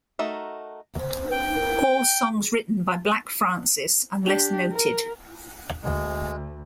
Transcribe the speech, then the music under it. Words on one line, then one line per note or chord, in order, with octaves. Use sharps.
All songs written by Black Francis, unless noted.
A3 D#4 F#4 A#4 E5
G5
D4 G4
A#4
D2 G#3